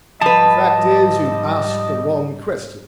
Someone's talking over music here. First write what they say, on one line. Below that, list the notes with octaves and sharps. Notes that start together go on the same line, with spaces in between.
The fact is you've asked the wrong question.
G#2 F3 G3 B4 D#5 A5